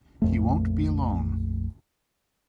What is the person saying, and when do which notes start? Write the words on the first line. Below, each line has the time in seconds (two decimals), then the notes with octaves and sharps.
He won’t be alone.
0.22 A#1 F2 A3